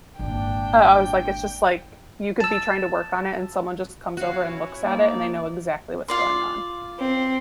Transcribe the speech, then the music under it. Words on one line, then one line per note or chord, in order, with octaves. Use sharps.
I I was like it's just like, you could be trying to work on it, and someone just comes over and looks at it, and they know exactly what's going on.
G#1 A#2 D4 G5
A5 E6
C#4 E4 F#4 C#5 F5
A#3 D#4 D5
F4 D5 C6
C4